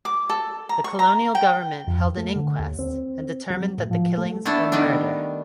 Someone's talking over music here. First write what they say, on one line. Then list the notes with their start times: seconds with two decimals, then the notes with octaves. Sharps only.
The colonial government held an inquest and determined that the killings were murder.
0.05 D6
0.29 A4
0.69 A#5
0.84 C#6
0.99 A#5
1.35 G5
1.87 F2
2.17 A3
2.36 D3
2.59 D#2
2.79 C4
3.50 F#3
3.78 A2
3.91 F3
4.18 A3
4.45 A3 B3 D4 E4 A4
4.72 D#3 G3 B3 D4